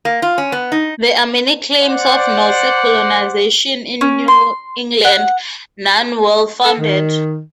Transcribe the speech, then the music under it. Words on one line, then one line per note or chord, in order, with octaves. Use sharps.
There are many claims of Norse colonization in New England, none well-founded.
A#3
F4
C#4
B3
D#4
C5 D5 F#5
C#4
C6
F#5
A4
D#3